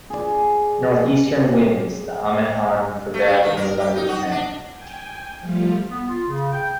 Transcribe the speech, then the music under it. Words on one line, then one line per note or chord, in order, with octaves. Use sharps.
Northestern winds, the amihan prevail from November to May.
G#4 D5
A3
D4
D#3
A#4
G4
D#4
F#4
D4
G5 G#5
F3 G3 A3 F4
B3
F4
C#3
G5